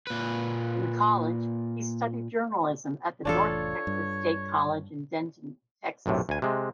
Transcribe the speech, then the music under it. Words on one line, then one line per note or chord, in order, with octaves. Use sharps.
In college, he studied journalism at the North Texas State College in Denton, Texas.
A#2 B4
F1 A2 E3 D4 F4 A4 C#5
G2
B1 F#2 A2 C3
D2 G#5
C3 G#3